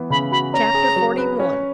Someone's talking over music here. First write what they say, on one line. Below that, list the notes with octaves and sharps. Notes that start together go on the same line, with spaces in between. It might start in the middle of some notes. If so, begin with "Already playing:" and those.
Chapter XLI.
Already playing: E3 B3
C#3 B5
F#4 B5
C#4 A#5
G#4
F#3
B4
C#4